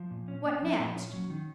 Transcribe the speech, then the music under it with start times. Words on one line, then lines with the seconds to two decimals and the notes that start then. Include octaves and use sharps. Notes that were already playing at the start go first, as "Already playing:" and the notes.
"What next?"
Already playing: F3
0.11 A#2
0.28 C#4
0.44 A#3
0.62 F3
0.79 A#2
0.96 C#4
1.13 F#3
1.30 D#3